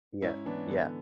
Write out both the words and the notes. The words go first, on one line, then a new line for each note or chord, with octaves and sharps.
Yeah. Yeah.
G#2 C#4 E4
E3 B3 D4
D3 B3